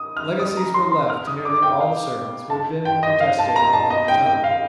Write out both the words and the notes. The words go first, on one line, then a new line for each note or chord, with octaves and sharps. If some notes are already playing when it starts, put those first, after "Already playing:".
Legacies were left to nearly all the servants who had been with the testator a long time.
Already playing: D#6
F6
D#6
A#5
C6
C6
F6
D#6
D6
G5
F5
A5
G5
D#5
F5
A5
A#5
A5
D#5
G5
G5
F5